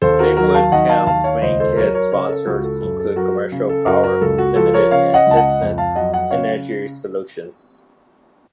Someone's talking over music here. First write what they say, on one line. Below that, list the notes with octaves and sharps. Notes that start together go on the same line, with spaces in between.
Fleetwood Town's main kit sponsors include Commercial Power Limited and Business Energy Solutions.
D#2 A4 C5
F#4 A#4
F#3 F#4 A#4
F5 A5
D#3 D#5 F#5
F5 A5
D#2 F5 A5
C#5 F5
C#2 C5 D#5
A4 C5
F#3 A#4 C#5
A#4 C#5
C#3 A#4 C#5
A4
C#2 F#4
A4
F#2 A4
A4
F#3 F#4 A#4
C#3
A4
F#2 F#4 A#4
F#4 A#4
C#2 A4
F#4
F3 A4
A#4 C#5
C#3 C#5 F5
D#5 F#5
C#2 A5
D#5 F#5
F2
F5 A5
F#3 D#5 F#5
D#5 F#5
C#3 C#5 F5